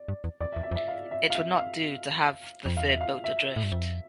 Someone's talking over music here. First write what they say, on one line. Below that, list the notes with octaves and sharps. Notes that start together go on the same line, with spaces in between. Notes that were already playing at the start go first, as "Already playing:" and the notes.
It would not do to have the third boat adrift.
Already playing: D5
G2
E2
E2 D5
E5
E2
E5
F2
E5
F5
E5
F5
E5
F5
F2
E2 F5
E5
F5
E5
A2
G2
F2